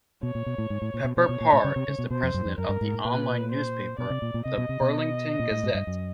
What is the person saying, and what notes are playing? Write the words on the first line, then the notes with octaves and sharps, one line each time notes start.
Pepper Parr is the president of the online newspaper the "Burlington Gazette".
B2 C#5
A#2
B2
A2
G#2
A2
A#2
B2
B2 C#5
B2
A#2
A2
C#3
C3
C#3
B2
B2 C5
F2
F#2
F2
F#2 A#4
G2
G#2
A2
A#2 B4
C5
B2 D5
C3
A#2
A#2
C3 D#5
B2
C3
B2
A#2
A2
G#2
G2
F#2